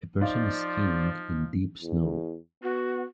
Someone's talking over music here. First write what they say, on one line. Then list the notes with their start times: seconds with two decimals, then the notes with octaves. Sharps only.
A person is skiing in deep snow.
0.21 F3 D#4 C5 D5 F5
1.82 E2
2.63 B3 F#4